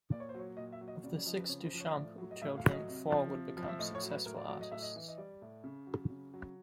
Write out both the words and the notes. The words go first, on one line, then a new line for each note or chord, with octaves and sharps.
Of the six Duchamp children, four would become successful artists.
A#2 D5
C#5
C5
F#3 C#5
A#2 D#5
E5
F#3
D#5
C#3 D5
D5
F3 D#5
B4
C#3 C#5
C5
F3
C#5
A2 D5
F#3
D#5
A2 E5
F5
F#3
D#5
C3
F3
C3
F3
E5
A2 D#5
C#5
F#3
B4
A2 A#4
D5
F#3 D5
D#5
A2 E5
D#5
E3
D#5
G3 D5
A2
C#3
F#3
C#3
F#3